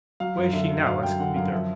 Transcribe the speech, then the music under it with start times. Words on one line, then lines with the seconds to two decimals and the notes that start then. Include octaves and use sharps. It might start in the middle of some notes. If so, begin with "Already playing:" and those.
"Where is she now?" asked Peter.
0.20 F#3 F5
0.37 F#2
0.53 D3 E5
0.70 F#2
0.87 F#3 F5
1.03 F#2 G5
1.20 D3 F#5
1.36 F#2 F5
1.52 F3 E5